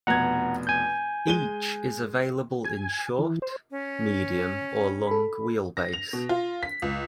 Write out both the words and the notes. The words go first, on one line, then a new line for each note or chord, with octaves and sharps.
Each is available in short, medium or long wheelbase.
F1 B2 F#5 A#5 G#6
G#5 G6
G#3 D#7 G7
G#5
E3
C5
C#4
A4 B5
A#6
F7
B2
F4
B6
C#2